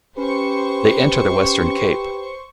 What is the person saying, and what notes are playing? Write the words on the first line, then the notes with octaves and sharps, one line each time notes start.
They enter the Western Cape.
C#4 G4 B4 C5 C#6